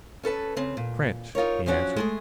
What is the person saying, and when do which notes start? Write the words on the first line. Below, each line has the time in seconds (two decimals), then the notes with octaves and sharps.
"Trench," he answered.
0.23 C#4 A4 B4 A5
0.57 C#3 C4
0.77 A#2
1.35 D#4 F4 A#4 C#5
1.66 F3 F#3 C#4 D4 F#4
1.96 G#3 A3 G#4